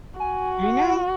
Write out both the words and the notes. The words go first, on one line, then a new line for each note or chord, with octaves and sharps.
I know.
F#4 G#5
F#5